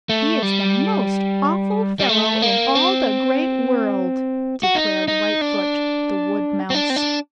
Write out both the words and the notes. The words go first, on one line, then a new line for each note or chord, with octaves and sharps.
"He is the most awful fellow in all the Great World," declared Whitefoot the Wood Mouse.
A3
G3
G3
A3
A#3
C4
F#4
D#4
D#4
D4
C4
D4
C4
D4